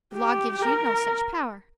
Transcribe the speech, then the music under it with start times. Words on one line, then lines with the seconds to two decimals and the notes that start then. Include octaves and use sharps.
The law gives you no such power.
0.15 G4
0.63 A#4